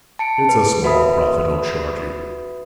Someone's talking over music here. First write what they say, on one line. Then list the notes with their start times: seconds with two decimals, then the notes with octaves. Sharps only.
It's a small profit I'll charge you.
0.19 A5 C#7 D7
0.49 B4
0.84 F#4 B4 E5 B5 D#6